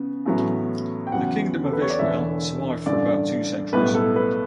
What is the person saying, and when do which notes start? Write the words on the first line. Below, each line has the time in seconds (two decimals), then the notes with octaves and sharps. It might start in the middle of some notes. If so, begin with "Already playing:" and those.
The Kingdom of Israel survived for about two centuries.
Already playing: C#3 B3
0.26 A1 A2 F#3 B3
1.07 G5
1.12 E2 C#3 F#3 B3 F#5
1.64 A4
1.73 B4
1.82 C#5
1.90 D5
1.98 E1 E2 D3 E5
2.86 A1 G2 D3 D5
3.73 B1 A2 G3 B3 B4
3.95 A4
4.16 B4